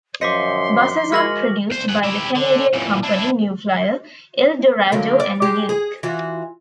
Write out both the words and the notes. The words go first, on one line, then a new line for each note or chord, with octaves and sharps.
Buses are produced by the Canadian company New Flyer, Eldorado, and Gillig.
F#2 F3 C5 D#5 C6 D6 B6 C#7
G#3 F#4 G#4 A#4 F6 A#6 F#7
C2 C5
G#4 F#5
E4 G4
D3
A#2 E3
D4 E4
D3 F#3 A#3
D5
G#3 G4
G#4
E3 F4 F#4